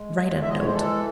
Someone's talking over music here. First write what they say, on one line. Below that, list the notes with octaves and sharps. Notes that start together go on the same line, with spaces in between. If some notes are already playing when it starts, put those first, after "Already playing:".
Write a note!
Already playing: G#3
E2
G#3 E5
D#5
C#5
C5
E3 A4